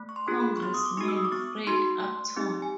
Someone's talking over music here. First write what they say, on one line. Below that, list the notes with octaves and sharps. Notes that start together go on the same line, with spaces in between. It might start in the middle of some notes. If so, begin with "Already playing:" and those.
Congressman Fred Upton.
Already playing: A3
C#6
C6
D4 F4 G#4
B5
C#6
B3 C6
D#6
D6
D#4 F#4 C#6
E6
D#6
D6
B3 C#6
D#4 F#4 C6
A3
C4 D#4 G4
G#5